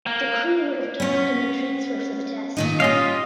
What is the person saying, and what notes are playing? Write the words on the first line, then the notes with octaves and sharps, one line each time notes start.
The crew would have docked and then transferred for the test.
A#3
B3 C#4
A#2 D#3 D#4
C#4 F4 G4 D#5 F5